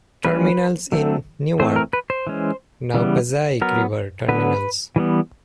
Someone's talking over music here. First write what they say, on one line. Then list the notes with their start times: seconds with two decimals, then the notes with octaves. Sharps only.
Terminals in Newark, now Passaic River Terminals.
0.25 E3 G3 A#3 C#4 B4
0.92 D3 F#3 A3 C4
1.60 E3 A3 C4 C5
1.76 A#4
1.93 B4
2.10 C5
2.27 E3 G#3 C#4
2.94 C#3 E3 G3 B3
3.61 F#3 B3 A#4
4.29 D3 F#3 B3 B4
4.96 E3 G3 B3